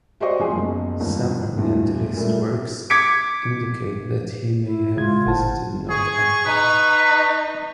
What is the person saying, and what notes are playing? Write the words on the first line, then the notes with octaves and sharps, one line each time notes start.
Some Orientalist works indicate that he may have visited North Africa.
F#4 G4 C5 D5 D#5 C#6
F3 G#4 C6
F#1 B1
G1 D#2
E2 G2 B2 E3 F3
A#2 G3 A3
D6 G#6 B6 C#7 D7
E4
C#3 G#3 F4 G#6
G1 C5 F#5 A5
G#4 C#6
D#4 B4